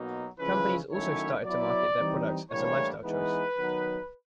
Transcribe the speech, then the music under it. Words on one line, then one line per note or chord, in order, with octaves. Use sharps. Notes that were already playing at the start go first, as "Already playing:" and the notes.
Companies also started to market their products as a lifestyle choice.
Already playing: B2 F#3 A#3 D#4
C#3 F3 G#3 C#4 E4 B4
D#3 F#3 A3 C#4 E4 C#5
F#3 B3 E4 D5
E3 G3 C4 D#4
A2 E3 G3 A#3 D4 C#5
E3 G#3 B3 D#4 B4
D#3 F#3 B3 D#4